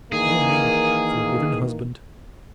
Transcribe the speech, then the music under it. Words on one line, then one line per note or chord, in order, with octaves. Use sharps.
"O me, for a wooden husband!"
D#3 E3 A#3 G#4